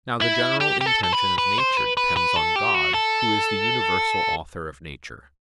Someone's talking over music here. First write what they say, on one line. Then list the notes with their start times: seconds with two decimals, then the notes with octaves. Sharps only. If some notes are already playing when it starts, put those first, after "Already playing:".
Now the general intention of nature depends on God, Who is the universal Author of nature.
0.21 E4
0.61 G4
0.81 G4
0.86 A4
1.03 A4
1.12 B4
1.38 B4
1.58 C5
1.77 B4
1.97 B4
2.17 B4
2.36 A4
2.56 G4
2.74 F#4
2.94 A4